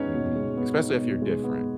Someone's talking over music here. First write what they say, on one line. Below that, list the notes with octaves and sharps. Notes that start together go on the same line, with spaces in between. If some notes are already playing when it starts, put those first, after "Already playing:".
Mhm. Especially if you're different.
Already playing: G#3 B3 C#4 D#4 B4 C#5
B2
G#3
B3
D#4
B2
G#3
B3